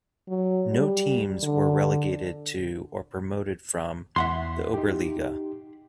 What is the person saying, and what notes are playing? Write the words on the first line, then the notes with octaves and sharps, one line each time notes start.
No teams were relegated to or promoted from the Oberliga.
F#3
G3
D3
E2 E5 F#5 C6
D#4 G4